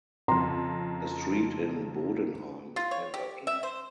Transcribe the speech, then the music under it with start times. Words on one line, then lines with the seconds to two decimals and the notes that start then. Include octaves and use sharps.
A street in Bodenheim is named after him.
0.28 F2 C#3 A#5 C6
2.76 F4
2.91 C#5
3.14 G4
3.47 E5
3.63 C5